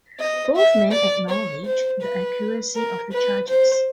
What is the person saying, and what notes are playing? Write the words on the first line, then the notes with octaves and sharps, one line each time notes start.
Both men acknowledged the accuracy of the charges.
D#5
E5
D5
C#5
C5
B4
A#4
B4
C5